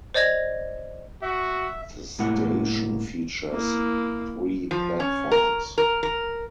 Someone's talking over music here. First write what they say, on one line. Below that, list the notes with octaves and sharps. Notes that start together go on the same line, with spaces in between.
The station features three platforms.
C5 D5 D#5 G#6 A#6
F#4 E5
C2 A2 G#3 A#3 E4 F#5
A#3 E4
F3
C#4
A#4
A#4
A#4